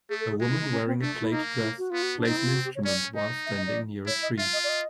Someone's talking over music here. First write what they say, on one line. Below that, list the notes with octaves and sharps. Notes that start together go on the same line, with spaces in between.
A woman wearing a plaid dress plays an instrument while standing near a tree.
A3 G#4
A4
G#4
G#3 F#4
E4
D#4
C#4
C4
A3 D4
E4
A#3 D#4
E4
F#4
B3 F4
F#4
D4
C4 D#4
E4
F4
F#4
G4
C#5
C#4 D5
D#4 D#5
E5
D#5
D5
E4 C#5
D#5
F4 E5
D#5
D5
D#5